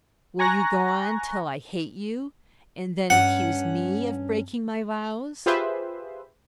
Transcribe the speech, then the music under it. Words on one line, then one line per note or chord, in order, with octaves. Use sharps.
Will you go on till I hate you, and then accuse me of breaking my vows?'
G#5 A#5 C#6 F#6 A#6
G2 C#4 F#5
F4 G4 G#4 B4 C5 E5